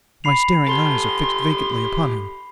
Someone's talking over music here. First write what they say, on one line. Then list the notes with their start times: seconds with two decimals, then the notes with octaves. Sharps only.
My staring eyes are fixed vacantly upon him.
0.24 B5 C7 F7
0.68 G4 A4 C6